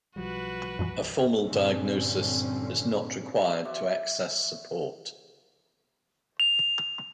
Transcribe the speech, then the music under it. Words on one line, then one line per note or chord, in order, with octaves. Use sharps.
A formal diagnosis is not required to access support.
B1 F3 G3 F#4 B4
F#2 A#2 E3
G2 A#2 D3 C4 C#4
F#4 C5 D5 E5
F7